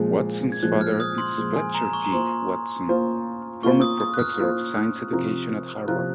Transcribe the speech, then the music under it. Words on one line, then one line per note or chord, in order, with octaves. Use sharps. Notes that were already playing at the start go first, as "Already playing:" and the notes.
Watson's father is Fletcher G. Watson, former professor of science education at Harvard.
Already playing: A#2 F3 G#3
G#6
A#2 F3 G#3 F#6
F6
D#6
C6
A#2 F3 G#3
G#5
A#5
C#6
A#5
A#3 F4 C5 C6
A#3 F4 C5
A#3 F4 C5 C#6
D#6
D#6
F#6
F6
A#3 F4 C5
C3 F3 C4 F4 A#4
C3 F3 C4 F4 A#4 F#6